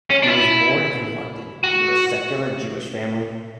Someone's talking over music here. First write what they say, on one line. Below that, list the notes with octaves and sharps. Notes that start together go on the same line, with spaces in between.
He was born in London into a secular Jewish family.
C#4
D4
E4
F#4